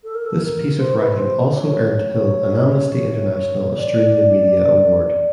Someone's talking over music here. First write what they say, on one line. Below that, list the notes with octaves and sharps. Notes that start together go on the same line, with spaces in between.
This piece of writing also earnt Hill an Amnesty International Australia Media Award.
A4
A#4
A4
A#4
C5
B4
C5
C#5
D5